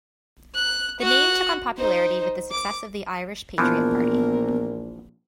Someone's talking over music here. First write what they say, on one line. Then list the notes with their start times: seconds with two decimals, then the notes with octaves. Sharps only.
The name took on popularity with the success of the Irish Patriot Party.
0.54 F#6
1.00 F#4 F#6
1.77 D#4 C5
2.51 D6
3.58 A#1 E3 F3 B3 A#4